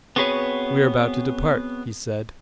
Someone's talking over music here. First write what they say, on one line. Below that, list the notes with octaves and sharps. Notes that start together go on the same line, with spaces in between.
"We're about to depart," he said.
B3 C4 F#4 G#4 B4 C#5